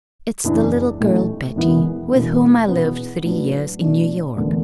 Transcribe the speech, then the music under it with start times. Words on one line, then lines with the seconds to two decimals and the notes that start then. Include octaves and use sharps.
It's the little girl, Patty, with whom I lived three years in New York.
0.44 F#1 E2 E3 D4
1.00 A1 A2 A3
1.56 E1 E2 E3 B3 E4
2.12 E1 E2 B2
2.68 E2 B2 B3
3.25 A2 F#3 D4 B4 D5
3.81 B2 A3 D4 A4 D5
4.37 E1 D2 D3 B3 D4